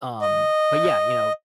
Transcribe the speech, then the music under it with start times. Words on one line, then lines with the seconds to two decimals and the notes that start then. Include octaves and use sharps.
Um, but yeah, you know,
0.21 D#5